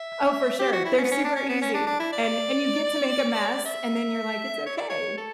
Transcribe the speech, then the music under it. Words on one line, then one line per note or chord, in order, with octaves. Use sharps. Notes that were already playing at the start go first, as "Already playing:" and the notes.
Oh, for sure, they're super easy, and and you get to make a mess, and then you're like, "It's okay.
Already playing: E5
G4
F#4
E4
C#4
B3
C#4
D4
C#4
B3
C#4
D4
D4
E4
D5
E5
C#5
D5
C#5
A4